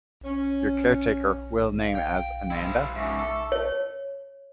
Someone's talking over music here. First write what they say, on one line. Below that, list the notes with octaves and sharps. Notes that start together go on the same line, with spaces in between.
Your caretaker will name as Ananda.
C#4
F5
G5
E4 C5
G#2 C#3 E5 C#6 D6
A4
C#5